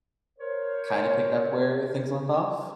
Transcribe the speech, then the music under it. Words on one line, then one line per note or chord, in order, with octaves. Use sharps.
kinda picked up where things left off?
A#4 C5 C#5